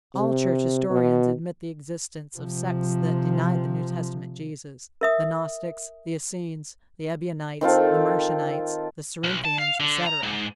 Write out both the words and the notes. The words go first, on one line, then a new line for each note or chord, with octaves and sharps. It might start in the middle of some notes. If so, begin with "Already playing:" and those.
All church historians admit the existence of sects that denied the New Testament Jesus--the Gnostics, the Essenes, the Ebionites, the Marcionites, the Cerinthians, etc.
C3
B2
C3 F3
A#4 E5 D#6
D#3 C4 F4 A4
B1
A5
F5
D3
A#5
G#2